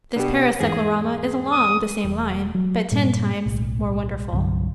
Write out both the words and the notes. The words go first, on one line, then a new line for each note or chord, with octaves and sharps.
This Paris cyclorama is along the same line, but ten times more wonderful.
B2 D4 G4
E2 G#2 G#4
D#6
E1
F#3
G2 A#2 G3 A#3
D1 B1 A2
C2 G2 D3 F#3